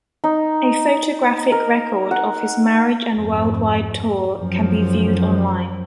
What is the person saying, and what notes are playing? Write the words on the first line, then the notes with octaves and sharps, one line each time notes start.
A photographic record of his marriage and worldwide tour can be viewed online.
D#4
A#4
F#5
F2 G#2
F#2 F3